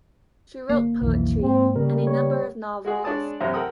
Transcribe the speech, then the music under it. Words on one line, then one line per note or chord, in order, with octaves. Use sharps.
She wrote poetry and a number of novels.
G1 A#3
B1 F2 E3
G#2 C4
C#3 G3 A#4
C#5
G#3 F#4 G#4
G#3 D4 C#5 D5 A5 D#6
A1 F#2 C3 C5 E5 A#5
A4 A#4 F#5 G5 D#6